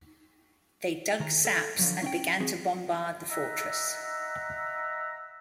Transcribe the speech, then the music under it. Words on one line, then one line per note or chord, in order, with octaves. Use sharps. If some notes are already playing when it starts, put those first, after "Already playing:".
They dug saps and began to bombard the fortress.
D#3 A#5
A4
D3 F3 F#3
C#4 E5 G5
E3 C4 F#4 G#4
D#5 E5 F#5 A#5 E6